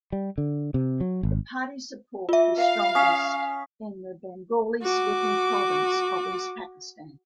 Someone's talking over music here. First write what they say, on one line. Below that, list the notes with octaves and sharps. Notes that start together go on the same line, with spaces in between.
The party's support was strongest in the Bengali speaking province of East Pakistan.
G3
D3
C3
F#3
G#1
F4 E5
F5
C#4 D#6 B6
F#4 D6